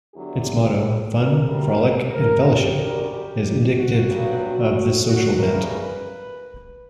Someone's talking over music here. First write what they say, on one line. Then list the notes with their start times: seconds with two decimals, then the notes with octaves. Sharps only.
Its motto, "Fun, Frolic, and Fellowship," is indicative of this social bent.
0.13 E2 D3 F#3 G4
1.11 A#4
1.44 D2 D3 G3
2.10 A#4
2.43 G4
2.75 F#2 D3 G3 A#4
3.08 G4
3.74 F#4
4.06 G2 F#3
4.40 F#4
5.05 F#4
5.38 E2 C#3 E3 G3 A#4
5.71 B4